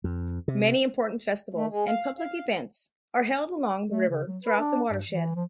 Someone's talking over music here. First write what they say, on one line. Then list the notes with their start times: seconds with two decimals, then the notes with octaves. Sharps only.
Many important festivals and public events are held along the river throughout the watershed.
0.04 F2
0.48 C3
1.54 A3
1.70 G#3
1.88 F5
2.18 F5
3.90 A3
4.09 C#3
4.26 F#3
4.44 B4
4.59 D4
4.91 G2
5.08 E3
5.36 F3